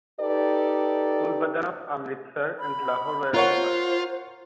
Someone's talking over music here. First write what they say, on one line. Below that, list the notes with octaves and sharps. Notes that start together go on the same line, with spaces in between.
Gulbadan of Amritsar and Lahore were famous.
D#4 G4 A4 B4 D5
B5
F4 A#4 C5 C#5 F#5